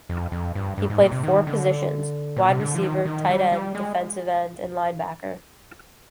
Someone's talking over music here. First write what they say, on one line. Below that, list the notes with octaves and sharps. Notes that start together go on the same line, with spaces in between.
He played four positions-wide receiver, tight end, defensive end and linebacker.
F2
F2
G2
G2
G#2
A#2
C3
D#3
D3
A#2
C3
D3
F3
D#3
D#3
G3
G3
G#3